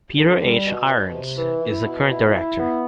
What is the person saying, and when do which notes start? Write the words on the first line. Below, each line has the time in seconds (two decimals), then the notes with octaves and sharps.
Peter H. Irons is the current director.
0.17 D3
0.41 G3
0.66 B2
0.89 B2
1.14 C3
1.37 E3
1.62 E4
1.85 B2
2.10 E4
2.34 E4
2.58 B3